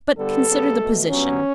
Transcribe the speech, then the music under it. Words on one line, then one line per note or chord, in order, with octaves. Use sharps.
But consider the position.
G2 D3 G3 B3 A4
C#3 G3 B3
B2 A3
G2 F#3 B3 C#4